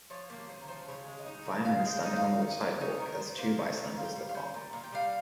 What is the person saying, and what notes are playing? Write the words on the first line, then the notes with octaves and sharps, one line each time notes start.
Firemen standing on the sidewalk as two bystanders look on.
F3 C#5
A#3 G4
C#4 C5
A#4
F3 C5
C#3 C#5
G#3
D#5
D#4 C#5
C#3
C#3 F5
G#3
G5
D#4 D#5
F5
C#3
D#3
D#5
A#3 C#5
D#4 C#5
D#3 A#4
D#3 C5
A#3 C5
D#4 C#5
D#3 C#5
A#2 F5
G5
G3 F5
F5
C#4 G5
A#2
A#2 F5
G5
G3 F5